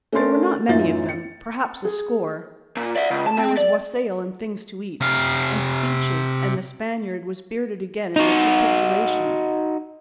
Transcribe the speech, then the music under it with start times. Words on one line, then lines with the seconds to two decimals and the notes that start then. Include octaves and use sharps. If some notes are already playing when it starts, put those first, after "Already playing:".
There were not many of them--perhaps a score--and there was wassail and things to eat, and speeches and the Spaniard was bearded again in recapitulation.
0.12 A3 C#4 D4 A#4 C6 A6
0.68 F#2 A2 E3 D#4 F4 A6
1.09 C#7
1.85 G#4
2.77 A#2
2.96 D5 E5
3.11 C#2
3.27 A5
3.39 C4
3.58 D5
5.01 C3 F5
8.16 D#4 F#4